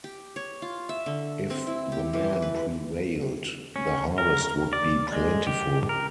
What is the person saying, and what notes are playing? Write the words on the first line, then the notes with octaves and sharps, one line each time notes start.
If the men prevailed, the harvest would be plentiful.
G4
C#5
F4
E5
D3
C4
E4
G4
E3
B4
C#4
A#4
D5
G#3
G4
A#4